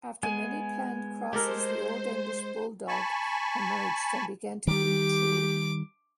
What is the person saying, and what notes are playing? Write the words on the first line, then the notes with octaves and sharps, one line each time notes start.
After many planned crosses, the Olde English Bulldogge emerged and began to breed true.
G#3 B3 G#5
G#3 G4 A4 A#4 C5
G#5 A5 B5 C#6
D#3 G3 G4 D6